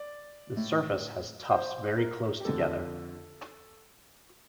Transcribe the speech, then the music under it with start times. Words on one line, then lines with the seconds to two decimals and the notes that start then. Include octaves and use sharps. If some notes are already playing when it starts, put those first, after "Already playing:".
The surface has tufts very close together.
Already playing: D5
0.57 A2
1.50 C5
1.98 A#4
2.40 G4
2.45 F2 D3 A4